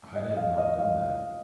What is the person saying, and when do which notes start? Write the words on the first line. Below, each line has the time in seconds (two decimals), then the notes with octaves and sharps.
I did not know that.
0.16 D#5
0.31 D#5
0.36 F5
0.58 D#5
0.79 F5